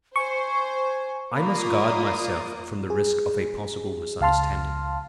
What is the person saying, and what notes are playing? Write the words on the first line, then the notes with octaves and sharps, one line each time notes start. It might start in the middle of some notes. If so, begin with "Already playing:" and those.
I must guard myself from the risk of a possible misunderstanding.
C5 G#5 C#6
A#3 F4 D5 B5 D#6
G#4
C#2 F5 A5 C6 F6